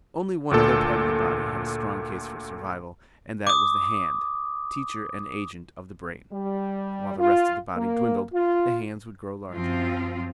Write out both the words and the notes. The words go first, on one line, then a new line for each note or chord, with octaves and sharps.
Only one other part of the body had a strong case for survival, and that was the hand, "teacher and agent of the brain." While the rest of the body dwindled, the hands would grow larger.
D2 A#2 A4
D6 D#6
G3
F4
A#3
F4
F#2 F3 C4 F4